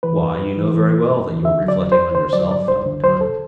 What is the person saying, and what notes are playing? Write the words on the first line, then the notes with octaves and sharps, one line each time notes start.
"Why, you know very well that you are reflecting on yourself, Valentine."
E3 B4
G2
G2
E3
E3
G2
G2
E3
D3 E5
F#3
D5
G2
C5
G2
D3 C5
F#3 D5
G2 D5
G2 C5
D3
F#3 C5
D2 A4